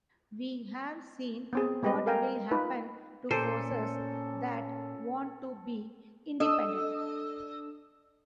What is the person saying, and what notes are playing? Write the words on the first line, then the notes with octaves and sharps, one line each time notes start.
We have seen what will happen to forces that want to be independent.
B3 C4 G#4
G3 G#3 G4 B4 D#5
A4 A#4 F5 G5 G#5 A#5
D#4 F4 B4
A#2 C#4 A4 C5
D4 A4 D#5 E6